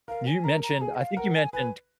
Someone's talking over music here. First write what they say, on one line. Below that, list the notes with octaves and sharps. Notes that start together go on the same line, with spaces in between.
You mentioned, I think you mentioned
A#4 F5
G#5
A#4 A#5
A#5
G#4 G#5
D#5
F5
A#4 F#5
G#5
B4 G#5